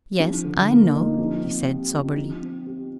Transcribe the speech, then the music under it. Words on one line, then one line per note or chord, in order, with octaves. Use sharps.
"Yes, I know," he said soberly.
F3
D3
A#3
D#4
F3
C4
G4
G4
F3
C4
G4